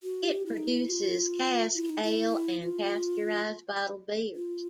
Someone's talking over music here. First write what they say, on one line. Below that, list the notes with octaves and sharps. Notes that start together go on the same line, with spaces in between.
It produces cask ale and pasteurised bottled beers.
F#4
G4
E4
D#4
E4
F#4
F4
E4
D#4
E4
F4
F4